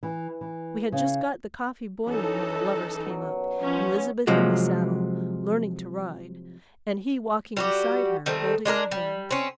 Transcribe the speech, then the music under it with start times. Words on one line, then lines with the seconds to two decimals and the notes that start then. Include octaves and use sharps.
We had just got the coffee boiling when the lovers came up, Elizabeth in the saddle, "learning to ride," and he walking beside her holding her hand.
0.03 E3
0.41 E3
0.92 C#3
2.06 F#2 E3 C#4 D#4 A4 D6
3.06 B2 F#3
3.60 F3 C#4
4.27 C3 F3 F#3 G#3
7.57 G3 F#4 G4
8.26 D#3 G3 A3 C4
8.65 G#3 D4 G4 A#4
8.91 G3
9.31 C4 C#4